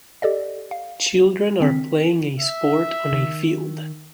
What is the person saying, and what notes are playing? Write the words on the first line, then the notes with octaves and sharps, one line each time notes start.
Children are playing a sport on a field.
G4 A4 D5 D#5
F5
D#3 C4 B6
E5
D#3